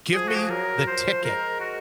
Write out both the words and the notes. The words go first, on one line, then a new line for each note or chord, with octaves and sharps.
give me the ticket,
F3 G#4
F#4
G#4
F#3 A#4
F3 C5
G#3 A#4
F#4